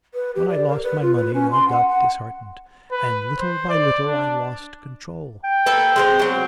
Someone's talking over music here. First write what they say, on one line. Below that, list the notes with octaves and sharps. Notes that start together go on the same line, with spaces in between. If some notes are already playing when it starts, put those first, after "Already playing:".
When I lost my money I got disheartened, and little by little I lost control.
B4
G4
D5
A#4
B4
F4
B4
C#4
C6
F#5
F#5
B4
C5
D5
D4
G5
A#3 A4 B4
G#3 C4 C5
F#3 C4